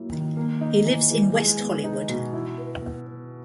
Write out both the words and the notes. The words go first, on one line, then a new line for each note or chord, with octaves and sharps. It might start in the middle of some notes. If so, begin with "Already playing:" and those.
He lives in West Hollywood.
Already playing: F#3 A#3 E4
D#3
A#3
D#4
E3
E3
G#3
B3
D#4
B2
E4
B4
B3
B3